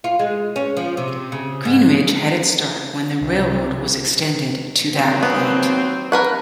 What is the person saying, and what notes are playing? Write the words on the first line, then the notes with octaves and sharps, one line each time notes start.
Greenridge had its start when the railroad was extended to that point.
F4
G#3
C#4
F3
C3
C#3
G#2
C2
D#2 F#3 C4
B3
A#4 B4 F#5